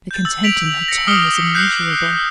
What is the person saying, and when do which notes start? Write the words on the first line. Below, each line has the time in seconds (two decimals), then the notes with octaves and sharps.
The contempt in her tone was immeasurable.
0.11 G6 A6
0.25 E6 A6
0.43 A6 B6 D7 F7 F#7
0.88 A#6 C#7
1.07 D6 D#6 F6 C7 C#7 G7
1.54 F#6 G6 C7 C#7